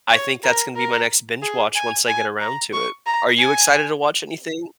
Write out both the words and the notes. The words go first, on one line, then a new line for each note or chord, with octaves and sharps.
I think that's gonna be my next binge watch once I get around to it. Are you excited to watch anything?
C#5
A#4
A#4
G#4
G#5
G#5
A#5
C#6
A#5
G#5